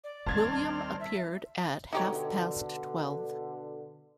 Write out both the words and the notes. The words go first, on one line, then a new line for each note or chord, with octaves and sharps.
William appeared at half-past twelve.
D5
D#2 G3 C4 A5 F6 G#6 A6
E5
B2 D3 D#4 G4 C#5